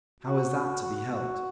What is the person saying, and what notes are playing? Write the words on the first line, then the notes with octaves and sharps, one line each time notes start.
How is that to be helped?
F#4
F#4
F#4
F#4